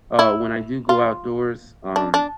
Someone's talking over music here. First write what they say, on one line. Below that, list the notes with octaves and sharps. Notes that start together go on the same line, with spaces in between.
uh, when I do go outdoors, um,
E4
F4
D4
D4